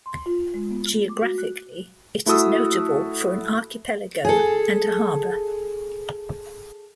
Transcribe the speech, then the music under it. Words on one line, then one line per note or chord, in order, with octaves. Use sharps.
Geographically, it is notable for an archipelago and a harbour.
C6
F4
G#3
B3
A3
D6
F#4
F#6
A3 E4 F#4 A4 D#6 E6
G#4 A4